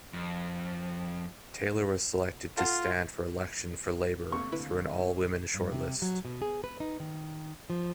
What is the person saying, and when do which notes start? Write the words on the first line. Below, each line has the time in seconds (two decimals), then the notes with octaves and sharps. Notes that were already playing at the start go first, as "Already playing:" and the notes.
Taylor was selected to stand for election for Labour through an all-women shortlist.
0.13 F2
2.57 F4 A4 F5 F#5
4.32 D#2 C3 A3 B3 C#6
4.52 D3 E4 B4
5.54 G2
5.72 C3
6.02 F#3
6.25 B2
6.42 G#4
6.64 B4
6.80 D#4
7.00 D#3
7.70 F3